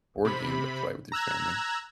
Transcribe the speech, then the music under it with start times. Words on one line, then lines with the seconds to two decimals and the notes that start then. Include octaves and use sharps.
board game to play with your family?
0.25 C3 B5
1.12 A#5 E6 F#6 G#6